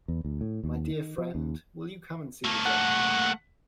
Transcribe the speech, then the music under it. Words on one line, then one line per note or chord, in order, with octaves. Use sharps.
My dear friend, will you come and see the gentleman?
E2
D2
A2
D#2
D#3
F3
D#2
A3 A#3
F#5